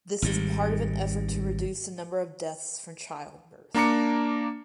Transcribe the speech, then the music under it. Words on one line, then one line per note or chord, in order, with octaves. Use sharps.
This is part of an effort to reduce the number of deaths from childbirth.
G#1 G#2 G3
A#3 D4 A#5 D6 C#7